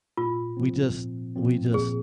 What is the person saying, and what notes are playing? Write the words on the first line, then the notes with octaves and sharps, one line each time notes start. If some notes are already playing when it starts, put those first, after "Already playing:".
we just we just
A#2 F4
F3 C4
A#2
F3 C4
A#2 G#4